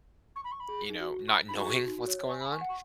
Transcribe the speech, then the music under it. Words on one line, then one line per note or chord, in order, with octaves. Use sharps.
you know, not knowing what's going on
C#6
B5
C#6
B5
G#4
G#4
D#4
F#4
C#6
B5
D#4 B5
F#4 C#6
G#4
F#4
D#4
F#4
C#5
C#5
G#5 C#6
B5
G#5
C#6
F#5
C#6